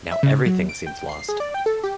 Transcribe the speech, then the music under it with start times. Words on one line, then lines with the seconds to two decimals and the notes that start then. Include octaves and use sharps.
Now everything seems lost!
0.11 E5
0.23 C#3
0.46 F#3
0.69 D7
0.87 G5
1.09 C7
1.29 G#4
1.40 D5
1.54 G5
1.66 A4
1.84 G4